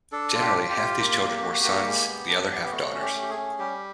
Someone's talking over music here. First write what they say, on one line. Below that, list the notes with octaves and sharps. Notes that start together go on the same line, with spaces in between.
Generally half these children were sons, the other half daughters.
D4 A4
F4
G4
F4
G4
F4
A#3
A#3
F#4
A#3
G#3
B3
D4
B3
G4
A3 F#4
C#4
G4
A3
G4
G#4
C#4
G3 G4